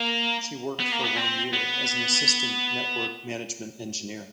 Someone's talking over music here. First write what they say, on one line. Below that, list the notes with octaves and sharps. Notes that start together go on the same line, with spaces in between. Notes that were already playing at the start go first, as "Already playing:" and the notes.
She worked for one year as an Assistant Network Management Engineer.
Already playing: A#3
B3
A#3
B3
C4
B3